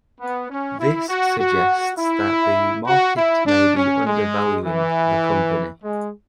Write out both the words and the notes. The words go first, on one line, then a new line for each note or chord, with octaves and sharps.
This suggests that the market may be undervaluing the company.
B3
C#4
E4
F#4
F#4
E4
F#4
E4
D4
C#4
G#3
E3
G#3